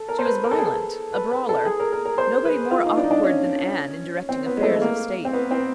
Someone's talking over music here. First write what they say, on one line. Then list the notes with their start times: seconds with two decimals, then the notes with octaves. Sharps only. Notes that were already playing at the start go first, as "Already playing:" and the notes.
She was violent, a brawler. Nobody more awkward than Anne in directing affairs of state.
Already playing: A4
0.09 A#4
0.19 C5
0.25 B4
0.44 A#4
0.51 A4
0.58 G#4
0.66 A4
1.14 B4
1.31 B4
1.49 A4
1.65 G#4
1.80 A#4
1.92 A#4
2.05 A#4
2.18 C5
2.45 B4
2.71 F4
2.84 D#4
2.97 D4
3.04 D#4
3.11 D4
3.23 C#4
4.29 C4
4.46 B3
4.57 G#3
4.63 A3
4.76 A3
4.81 A#3
5.25 C4
5.33 B3
5.51 C4